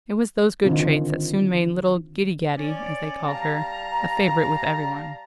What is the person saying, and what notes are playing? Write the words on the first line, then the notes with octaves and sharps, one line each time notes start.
It was those good traits that soon made little "Giddygaddy," as they called her, a favorite with every one.
D3 D#3 C4 D4 F4
C#4 D5
G3 F5 A5 A#5